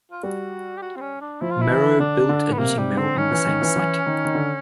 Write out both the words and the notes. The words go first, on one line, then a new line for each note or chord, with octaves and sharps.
Merrow built a knitting mill on the same site.
F4
G3 F#4
G4
F#4
C4
C#4
D4
F3 E4
F4
E4
E3
D3 D4
D3
B3
C3 A#3
C3 G3
D3 C4
D#3 C#4
E3
D#3
E3
E3
D#3
D#3
D3